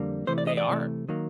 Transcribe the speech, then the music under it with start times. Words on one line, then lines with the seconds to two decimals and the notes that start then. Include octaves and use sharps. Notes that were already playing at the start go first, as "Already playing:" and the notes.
They are.
Already playing: F2 D3 G3 A#3
0.27 C3 E3 A3 C5
0.38 D5
0.47 D#5
0.57 D5
0.68 C3 E3 A3
1.08 D#3 F#3 A#3